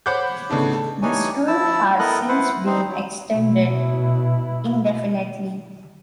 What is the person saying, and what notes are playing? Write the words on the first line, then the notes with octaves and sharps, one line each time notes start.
This rule has since been extended indefinitely.
C5 C#5 F#5 B5 D6 G6
A2 C#3 B3 D4 D#4
A4
E3 G3 D4 D#4 C#5 G#5
F3 E4 A5 E6
B3 E4 A4 A#4 D#5 F#6
E4 B4 C5 F#5
C4 D#4 C5
F#3
B2 E4